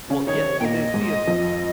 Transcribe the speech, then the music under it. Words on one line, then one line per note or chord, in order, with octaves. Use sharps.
Well, yeah, well, they see us
C#3 C#4
D#3 D#4 C#5
C3 C4
A#2 A#3 D#5 G5
G#2 G#3
F2 F3